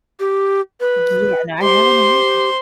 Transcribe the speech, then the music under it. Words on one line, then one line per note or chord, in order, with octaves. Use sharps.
Yeah. No, I haven't heard
G4
B4
G4 C5 C6